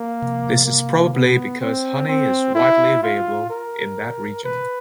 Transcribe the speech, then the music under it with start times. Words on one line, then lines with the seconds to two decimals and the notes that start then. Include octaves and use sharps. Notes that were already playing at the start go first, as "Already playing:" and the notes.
This is probably because honey is widely available in that region.
Already playing: A#3
0.66 A#3
1.14 B3
1.60 C4
2.08 C4
2.55 E4
3.03 F4
3.50 A#4
4.45 B4